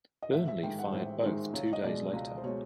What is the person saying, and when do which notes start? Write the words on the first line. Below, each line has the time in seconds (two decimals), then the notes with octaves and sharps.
Burnley fired both two days later.
0.22 D#5
0.33 A1 E5
0.48 E5
0.63 G#2 D#3 G#3 G5
0.78 F#5
0.92 A1 C5
1.23 G#2 D#3 G#3 C5
1.54 C#2 C#5
1.73 D#5
1.84 B2 G#3 D5
2.13 C#2
2.38 C5
2.43 B2 G#3 C#5